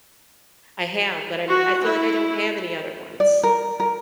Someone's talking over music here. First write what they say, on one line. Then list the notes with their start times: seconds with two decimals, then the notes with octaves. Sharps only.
I have, but I'm I feel like I don't have any other ones,
1.48 F#4
1.84 E4
3.20 D5
3.43 A#4
3.80 A#4